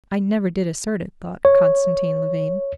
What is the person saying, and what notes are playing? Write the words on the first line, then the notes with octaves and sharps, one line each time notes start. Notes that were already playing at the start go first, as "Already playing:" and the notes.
"I never did assert it," thought Konstantin Levin.
C#5